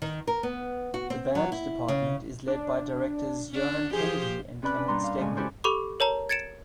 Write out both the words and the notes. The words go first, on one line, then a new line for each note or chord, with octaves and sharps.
The band department is led by directors johann kennedy and Kevin Steggmann.
D#3
A#4
B3
F#4
C4
F#3
E4
C#3
D4
C#4 D4
F3 G4 G#4 C5
C3 C#4 B4 D5 B5 F#6
D4 B4
G2 A#2 G3 A#5 C6
F5
F#2 A2 C#3 G#3 G#5
E4 F#4 G4 A4 C5 C#5
G4 A4 B5 C#6 D6
A#4 C#5 A5 A#5
G#6 A6 C#7 D7 E7